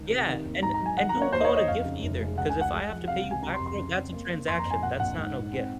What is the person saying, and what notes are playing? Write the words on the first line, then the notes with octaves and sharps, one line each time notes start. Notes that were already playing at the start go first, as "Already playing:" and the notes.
Yeah, and and, "Don't call it a gift either, 'cause if I have to pay you back for it, that's a transaction, that's not no gift."
Already playing: C#2 D#3
C3
D#3
D#2
G#2 A#5
A#5
F#3
G#5
D#3 F#5
A#5
A#3
C#5
D#2 C5
D#5
C#5
D#4
D#5
F2 F5
C#3
F1
G#3
C#2 F#5
G#5
C#2
F#5
G#3
F3
C3 F5
C#2
G#5
C3 A#5
C6
F2
C6
C#3
C4
A#3
A#3
F2 C6
A#5
F2
G#5
A#2 F#5
A#1 F#5
G#2
G#2
C4